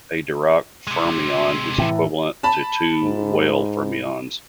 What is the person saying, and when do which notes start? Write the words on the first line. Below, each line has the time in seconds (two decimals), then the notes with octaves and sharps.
A Dirac fermion is equivalent to two Weyl fermions.
0.87 C3 G#3
1.78 A2 E3
2.43 A5 B5
3.03 G#2